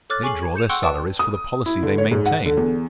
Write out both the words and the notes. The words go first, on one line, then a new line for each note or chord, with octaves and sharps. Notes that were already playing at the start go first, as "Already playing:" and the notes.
They draw their salaries for the policy they maintain.
A4 C#5 D6 F6 F#6 A6
G#4 G#5 C#6 D6 C7 F#7
G#6
G6 C#7 E7 F7
F#5 G5 C6 C#6 E6 F#6
B4 D5 G5 A5
D#6
E4
D3
C#5
G#2
F#5
D3
E2